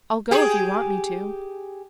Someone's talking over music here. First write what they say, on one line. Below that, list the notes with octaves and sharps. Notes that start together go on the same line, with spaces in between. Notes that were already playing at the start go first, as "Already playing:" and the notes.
"I'll go if you want me to."
G4 G#4